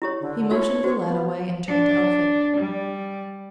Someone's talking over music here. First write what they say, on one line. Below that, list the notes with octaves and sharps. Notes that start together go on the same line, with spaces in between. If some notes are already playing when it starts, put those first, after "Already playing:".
He motioned the lad away, and turned to Elphick.
E4 G4 C#5
D3
D#4 F4 F#4 C#5
F#4 C5
B3
D4
G3